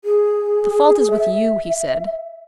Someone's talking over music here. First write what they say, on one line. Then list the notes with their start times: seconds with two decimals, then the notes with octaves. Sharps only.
"The fault is with you," he said.
0.05 G#4
1.11 E5